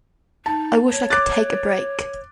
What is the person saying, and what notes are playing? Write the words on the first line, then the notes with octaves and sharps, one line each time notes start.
I wish I could take a break.
D#4 A5
C#5
D6 F#6 A6